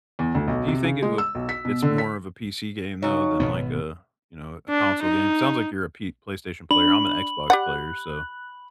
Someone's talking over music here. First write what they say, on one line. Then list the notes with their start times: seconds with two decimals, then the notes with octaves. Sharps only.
Do you think it would it's more of a PC game, though, than, like, a, you know, a console game? Sounds like you're a P PlayStation player. I'm an Xbox player, so
0.19 E2
0.35 D2
0.48 B1
0.68 C3
0.84 C#3
1.02 G#3
1.18 E6
1.35 B1
1.49 B6
1.65 B2
1.82 D3
1.98 B6
3.02 C#3 F#3 C#4 D#4
3.40 G#1 B2 B3
4.69 D4
5.02 D#4
6.71 D4 B5 F#7
7.50 G4 D5 F#5 F#6